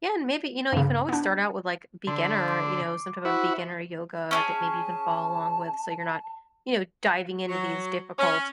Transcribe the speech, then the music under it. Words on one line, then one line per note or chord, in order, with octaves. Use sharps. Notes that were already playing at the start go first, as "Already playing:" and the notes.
Yeah. And maybe, you know, you can always start out with, like, beginner, you know, some type of beginner yoga that maybe you can follow along with so you're not, you know, diving into these difficult,
G2 C#3
B3 D4
D3 C6
C6 D6
E4 F#4 C5
C#4 D4 G#4 A5
F#3
C#4